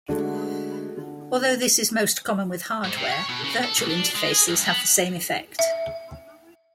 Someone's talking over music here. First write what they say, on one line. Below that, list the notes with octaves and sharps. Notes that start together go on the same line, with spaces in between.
Although this is most common with hardware, virtual interfaces have the same effect.
D3 G#3 A3 D4 F#4
D3
G#2
C3
C#5
B2
C#3
A4
B1
D4
G#3
G#4
G2
B3
E5